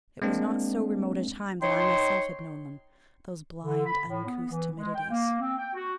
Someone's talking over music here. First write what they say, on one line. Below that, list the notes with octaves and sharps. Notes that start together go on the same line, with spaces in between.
It was not so remote a time that I myself had known them, those blind, uncouth timidities.
G#3 A#3 C4 D4
D#4 C#5 G5 C6
D3
B5
A2
B3
E3
G#3
G5
A#3
C4
G5
F#4